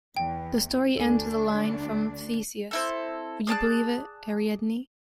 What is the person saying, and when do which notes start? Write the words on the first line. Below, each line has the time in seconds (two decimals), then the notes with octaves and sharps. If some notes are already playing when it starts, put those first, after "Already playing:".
The story ends with a line from Theseus - Would you believe it, Ariadne?
0.17 E2 G5
0.97 D2 D4 A4 G#5
2.71 C4 E4 A4
3.47 G#4 D5 A5 F#6